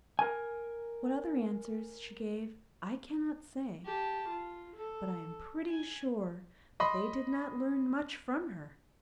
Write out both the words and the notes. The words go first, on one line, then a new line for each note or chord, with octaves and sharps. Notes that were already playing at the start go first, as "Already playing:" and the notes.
What other answers she gave I cannot say, but I am pretty sure that they did not learn much from her.
A#4 G#5
G4 A5
F4
A4
G#5
D#5 B5 C6